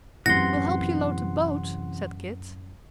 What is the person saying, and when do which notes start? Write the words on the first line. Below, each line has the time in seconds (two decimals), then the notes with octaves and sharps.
"We'll help you load the boat," said Kit.
0.26 F#2 A2 C3 E3 F#5 C6 A#6